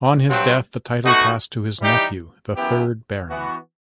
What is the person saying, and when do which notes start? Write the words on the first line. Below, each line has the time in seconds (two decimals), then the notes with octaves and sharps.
On his death the title passed to his nephew, the third Baron.
0.29 G2 F#3 C4
1.04 B2 A3 D#4 F#4
1.79 E3 G3 D#4 G4
2.55 F#2 E3 B3 E4 G4
3.30 E3 B3 F#4